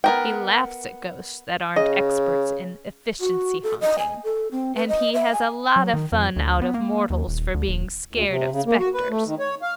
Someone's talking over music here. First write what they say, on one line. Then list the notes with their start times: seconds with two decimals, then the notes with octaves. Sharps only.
He laughs at ghosts that aren't experts in efficiency haunting, and he has a lot of fun out of mortals for being scared of specters.
0.04 B3 A#4 G5
1.76 C#3 D#5
3.21 F#4
3.63 A4
3.81 D#5
3.99 G#5
4.24 A4
4.51 C4
4.76 B4
4.88 D#5
5.14 E5
5.33 G#5
5.76 F#3
5.94 D#3
6.12 F2
6.36 D2
6.62 B3
6.74 A#3
7.10 D#2
7.28 D#1
7.54 D2
7.68 D#1
8.13 D2
8.28 C3
8.52 C#3
8.66 A#3
8.80 F#4
8.94 B4
9.09 A3
9.26 D#3
9.40 C#5
9.62 F5